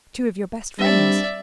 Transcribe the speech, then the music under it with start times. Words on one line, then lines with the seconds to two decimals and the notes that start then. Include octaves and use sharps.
"Two of your best friends."
0.79 G3 C4 D4 D5 E5